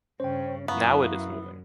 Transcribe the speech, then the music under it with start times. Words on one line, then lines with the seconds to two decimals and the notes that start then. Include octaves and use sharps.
Now it is moving.
0.20 G2 C#3 C#4 C5 G5
0.68 F#2 B3 E4 F5 A#5 C#6